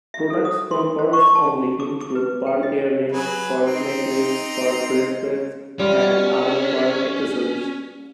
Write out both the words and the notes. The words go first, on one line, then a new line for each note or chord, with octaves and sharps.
Products from PearlsOnly include pearl earrings, pearl necklace, pearl bracelets and other pearl accessories.
E5
A4
D#6
C6
C5
C#6
A5
D6
D6
B4
G5
D#5
F#3 G#4 B4
C4 D#4
G3 C#4 F4